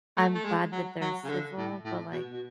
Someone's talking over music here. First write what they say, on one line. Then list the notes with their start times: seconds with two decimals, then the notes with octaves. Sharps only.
I'm glad that they're civil, but, like,
0.17 A3
0.35 A3
0.44 G#3
0.72 F#3
1.01 F#3
1.24 C#3
1.29 D3
1.57 A2
1.84 A2
2.12 B2
2.32 B2